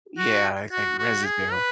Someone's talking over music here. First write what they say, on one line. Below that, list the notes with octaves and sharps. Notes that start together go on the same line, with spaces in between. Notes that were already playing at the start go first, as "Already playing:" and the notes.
Yeah, it's like residue.
F#4
F#4
F#4
G#4
B4